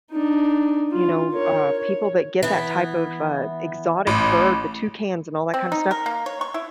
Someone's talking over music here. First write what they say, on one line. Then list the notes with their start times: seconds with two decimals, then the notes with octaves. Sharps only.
you know, uh, people that get that type of, uh, exotic bird, the toucans and all that kinda stuff,
0.12 D4 D#4
0.92 F4
1.32 A#4 C#5
1.78 C#5
2.43 E3 B3
4.07 A1
5.54 C4
5.72 D#4
5.91 A#4
6.06 A#3
6.26 C#5
6.41 C#6
6.54 E4